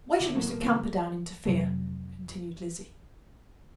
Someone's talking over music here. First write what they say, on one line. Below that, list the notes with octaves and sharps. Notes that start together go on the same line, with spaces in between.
"Why should Mr. Camperdown interfere?" continued Lizzie.
D2 B2 D#3 F#4 E5 D6
A2 F#3 A3 A#3
D#1 A#4
C#3 E3 B4
F1 C3 F#3 A3